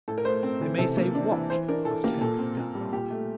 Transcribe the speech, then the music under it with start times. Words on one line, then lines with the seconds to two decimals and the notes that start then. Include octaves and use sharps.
"They may say what?" asked Henry Dunbar.
0.08 A2 A4
0.18 A#4
0.25 A3 C5
0.43 C4
0.61 E3
0.78 C3 A4
0.97 A#3
1.15 D4
1.32 E3
1.50 E3 C5
1.68 D4 A#4
1.85 E3 A4
2.04 A#3 G4
2.21 A#2 A4
2.39 C4
2.58 A#2
2.75 G3
2.92 A#2 G4
3.11 A3